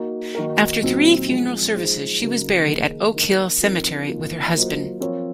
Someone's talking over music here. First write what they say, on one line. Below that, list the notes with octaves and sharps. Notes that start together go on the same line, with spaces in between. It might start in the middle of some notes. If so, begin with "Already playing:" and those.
After three funeral services, she was buried at Oak Hill Cemetery with her husband.
Already playing: A#3 D#4 F#4
D#3 A#3 D#4 F#4 A#4
A#2 F#3 C4 D#4
F3 G#3 C4
F3 G#3 D#4 G#4 C5
C#3 F#3 A#3 D#4 A#4
D#3 A#3 D#4 G#4
A#3 D#4 A#4
F3 C4 D#4 A#4
D#3 A#3 F4
F#3 A#3 F4 C5 D#5
F3 C4 F4 A#4 C#5